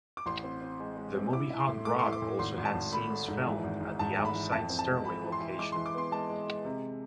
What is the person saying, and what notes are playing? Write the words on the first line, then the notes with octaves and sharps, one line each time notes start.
The movie Hot Rod also had scenes filmed at the outside stairway location.
D6
A1 C6
C4
C4
G#3
G#3
C4
E4 D6
E4
C6
A2
A3 D6
C6
E4
D6
A2
G#1 C6
G#1
A5
G#1
A3 B5
A3
G#2
E3
G#1
G#2
G#2 A5
G#1
B5
E3
F2 A5
C4
A5
G#3
G#3 B5
E3
C6
E3
G#3 D6
C6
E3
D6
B3 C6
G#3 A5
G#3
G#3
C3